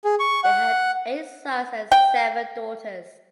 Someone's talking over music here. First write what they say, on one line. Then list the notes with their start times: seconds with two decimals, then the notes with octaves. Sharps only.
They had eight sons and seven daughters.
0.04 G#4
0.20 C#6
0.44 F#5
1.92 G5